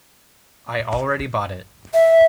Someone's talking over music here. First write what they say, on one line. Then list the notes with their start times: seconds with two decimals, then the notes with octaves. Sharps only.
I already bought it.
1.94 E5